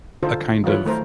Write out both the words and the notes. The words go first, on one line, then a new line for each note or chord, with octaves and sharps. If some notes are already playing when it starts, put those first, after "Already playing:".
a kind of
D3 D#4 F4 A4 C5
E3 F#3 F4 B4 C#5
D#3 A3 A#4 C5